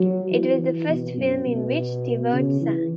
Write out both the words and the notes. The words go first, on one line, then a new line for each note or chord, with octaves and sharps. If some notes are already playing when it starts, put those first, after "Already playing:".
It was the first film in which Stewart sang.
Already playing: F#3
E3
E3
B2
F#2
B2
C#3
E3